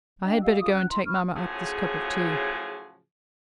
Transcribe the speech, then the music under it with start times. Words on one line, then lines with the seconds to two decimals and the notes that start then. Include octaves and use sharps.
'I had better go and take mamma up this cup of tea.
0.23 D4 D#5 G5
0.42 G4 D#5 F5 E6
0.60 F4 G#4 D6 D#6
0.71 C#4 F#5 F#6
0.89 E4 A#5 C6
1.05 B5 C#6 F6
1.35 A2 C#3 F3 F#3 G#4